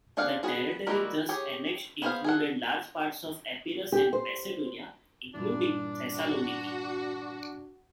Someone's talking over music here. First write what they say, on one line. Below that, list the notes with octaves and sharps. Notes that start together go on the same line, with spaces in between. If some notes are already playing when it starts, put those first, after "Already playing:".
The territory thus annexed included large parts of Epirus and Macedonia, including Thessaloniki.
D4 G#4 C5 F5 F#5
B3 F#4 G#4
G3 G#3 A#3 E4 F#4
G4 G#4 C#5
B3 G#4 C5 F5
G#4 A4 F#5
G4
C5
G2 A#2 E3 D4
F#4